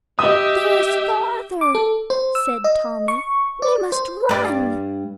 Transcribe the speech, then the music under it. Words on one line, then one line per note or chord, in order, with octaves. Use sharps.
"There's father," said Tommy; "we must run."
G4 D#5 E5 D#6
D6
A4
C5
E6
D#5
C#6
D5
C5
G2 D5